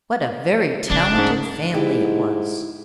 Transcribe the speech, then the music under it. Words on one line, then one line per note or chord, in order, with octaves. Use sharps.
What a very talented family it was!
C#3 C#4 D4
G#2
G#2 E4 G4